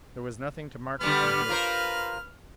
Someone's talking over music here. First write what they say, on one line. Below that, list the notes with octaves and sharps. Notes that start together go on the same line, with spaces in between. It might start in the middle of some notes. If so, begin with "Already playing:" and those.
There was nothing to mark it from here.
D3 G3 B3 B4 F6
F4 A#4 C5